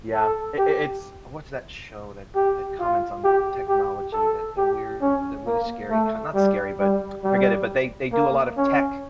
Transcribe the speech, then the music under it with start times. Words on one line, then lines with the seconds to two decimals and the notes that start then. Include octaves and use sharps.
Yeah, i i it's What's that show that that comments on technology, that the weird the really scary, kind not scary, but I forget it, but they they do a lot of tech,
0.13 A4
0.58 G4
2.35 G4
2.80 F4
3.24 G4
3.68 G4
4.13 A4
4.57 G4
5.02 C#4
5.46 A#3
5.90 A3
6.35 G3
6.80 G3
7.24 G3
8.13 A#3
8.57 C#4